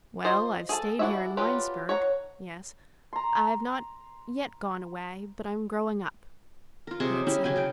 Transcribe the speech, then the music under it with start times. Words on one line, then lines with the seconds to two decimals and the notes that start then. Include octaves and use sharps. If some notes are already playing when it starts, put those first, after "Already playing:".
"Well, I've stayed here in Winesburg--yes--I've not yet gone away but I'm growing up," he had said.
0.25 F4 C5 D#5
0.69 G#4 A4 G#5 A5
0.99 D4 E4 F#4 G#4 E5
1.37 F#3 D4 F4 G4 B4
1.89 C#5 F#5 A#5
3.13 A#5 C6
6.87 F4 A#4
7.00 C3 G#4 D#5 C#6
7.13 F#3
7.27 C#4 E4 G4 D#5
7.44 C#3 F#3 G5 G#5
7.56 C#3 G5